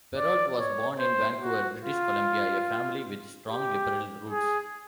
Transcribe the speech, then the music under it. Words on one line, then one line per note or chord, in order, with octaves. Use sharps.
Perrault was born in Vancouver, British Columbia a family with strong Liberal roots.
D5
C#5
C5
F#4
F4
G4
G#4